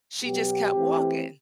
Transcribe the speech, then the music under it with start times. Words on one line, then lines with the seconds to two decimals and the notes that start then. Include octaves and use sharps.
she just kept walking,
0.22 B2 F#3 B3 G4
0.74 E3 A3 C4